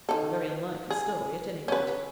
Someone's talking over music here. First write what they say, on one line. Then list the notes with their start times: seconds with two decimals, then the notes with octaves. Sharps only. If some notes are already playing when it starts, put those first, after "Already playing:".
It's a very unlikely story, at any rate.
0.09 D#3 A4
0.90 G#4
1.68 C#4 B4